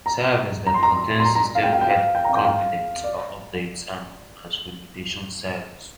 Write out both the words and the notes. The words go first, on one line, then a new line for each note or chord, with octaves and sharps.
Servers that contain system health components or updates are known as remediation servers.
A#5
A#5
C6
A#5
C6
A#5
A#5
F5
G5
F5
G5
F5
G5
A#5
F5
G5
F5
D5